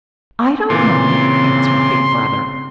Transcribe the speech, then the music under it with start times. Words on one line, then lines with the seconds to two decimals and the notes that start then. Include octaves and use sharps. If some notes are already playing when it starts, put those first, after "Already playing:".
"I don't know," answered Big Brother.
0.70 A#2 C#3 E3 C4 C6